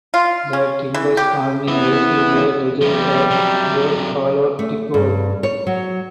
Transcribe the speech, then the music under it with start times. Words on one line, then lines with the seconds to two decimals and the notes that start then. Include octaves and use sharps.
The Timbers Army raised their "Legends of Goose Hollow" tifo.
0.14 F4
0.53 C#4
0.94 E3
1.17 G4
1.68 E3 B3 E4
2.81 F3 G3 B3
3.31 C3 F#3
4.59 A3
4.94 G2
5.43 C#5
5.67 F#3